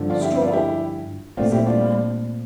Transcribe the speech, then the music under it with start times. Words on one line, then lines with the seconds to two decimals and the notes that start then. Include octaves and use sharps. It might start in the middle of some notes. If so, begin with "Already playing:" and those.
"Straw," said the man.
Already playing: G2 D3 F3
0.10 D4 F4
0.21 E4 G4
0.31 C4 E4
0.42 D4 F4
0.52 E4 G4
1.37 A#2 A3 C4 D4 F4
1.52 E4 G4
1.66 D4 F4